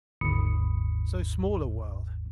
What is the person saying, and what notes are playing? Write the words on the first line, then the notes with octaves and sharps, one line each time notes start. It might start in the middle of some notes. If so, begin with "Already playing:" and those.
So small a world!
G1 D#2 G#2 B5 D#6 C#7